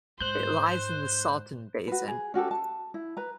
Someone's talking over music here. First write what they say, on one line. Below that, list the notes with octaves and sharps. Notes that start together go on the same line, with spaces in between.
It lies in the Salton basin.
G#2 C5 F#6 G6
F#4 B4
G#4
C#4 F#4 G4 A4
A5
E4
B4 A#5